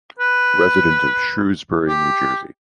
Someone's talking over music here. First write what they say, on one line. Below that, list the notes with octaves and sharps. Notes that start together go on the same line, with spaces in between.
Resident of Shrewsbury, New Jersey.
B4
G4